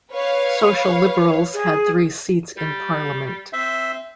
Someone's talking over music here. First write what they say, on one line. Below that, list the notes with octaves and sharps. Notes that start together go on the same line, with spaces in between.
Social-liberals had three seats in Parliament.
B4 C#5 F5
G#4
G3
C4 E5